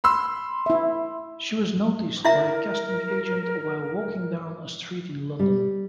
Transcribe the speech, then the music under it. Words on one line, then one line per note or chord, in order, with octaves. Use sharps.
She was noticed by a casting agent while walking down a street in London.
B5 C6 E6
E4 E5
E4 A#4 E5 A#5
G3